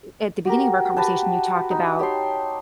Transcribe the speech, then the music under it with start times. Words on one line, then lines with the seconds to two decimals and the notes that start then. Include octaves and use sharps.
at the beginning of our conversation, you talked about,
0.45 F#4 G4 A#4
0.97 F#4 G4 B4 A5
1.71 D#4
1.99 G4 C#5 A5 C6